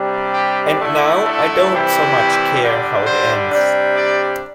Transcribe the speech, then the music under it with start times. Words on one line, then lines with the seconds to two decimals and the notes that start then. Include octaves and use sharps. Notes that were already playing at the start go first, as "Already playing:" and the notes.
And now I don't so much care how it ends.
Already playing: C3 G3 D4
0.34 G4
0.79 D3 A3 E4
1.26 A4
1.71 C3 E3 G3 C4 E4
2.61 D3 G3 D4
3.07 C5
3.52 C3 G3 D4
3.97 D5